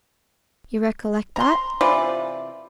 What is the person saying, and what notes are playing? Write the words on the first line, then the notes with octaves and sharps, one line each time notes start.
You recollect that?
A#5 C6
C3 E3 F4 D5